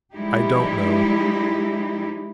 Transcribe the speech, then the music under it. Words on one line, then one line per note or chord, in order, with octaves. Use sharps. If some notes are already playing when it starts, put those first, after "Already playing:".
I don't know.
F3 G3 G#3 D#4 E4 G4